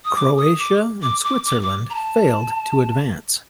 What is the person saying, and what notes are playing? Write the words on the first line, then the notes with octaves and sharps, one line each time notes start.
Croatia and Switzerland failed to advance.
D#6
D6
D#6
D6
D6
D6
D6
D6
A#5
A5